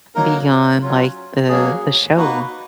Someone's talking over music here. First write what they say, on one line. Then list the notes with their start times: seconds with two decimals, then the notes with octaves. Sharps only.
beyond, like, the the show.
0.15 F#3 A#3 D#4 A#4
0.82 F#3 C#4 F4
1.48 F#3 A#3 C#4 G#4
2.16 A#3 D#4 F#4 B4